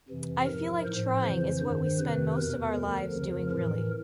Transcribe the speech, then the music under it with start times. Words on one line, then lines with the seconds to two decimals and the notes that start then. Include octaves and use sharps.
I feel like trying is what we spend most of our lives doing really.
0.08 F2 C3 E3
0.47 G#2 F3 A#4
0.85 A2 F3 C5
1.22 F2 C#3 E3 C5
1.60 G2 D#3 C5
1.99 F2 C3 D#3 B4
2.36 E2 B2 A#4
2.74 D2 D3 F3
3.13 F2 C#3 F3
3.51 A2 E3 A#4